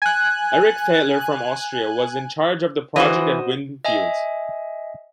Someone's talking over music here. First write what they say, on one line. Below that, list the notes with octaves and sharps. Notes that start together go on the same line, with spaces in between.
Eric Thaler from Austria was in charge of the project at Winfield's.
G#5 F#6
E3 F#4 C5 D#5
D#5 E5 G#5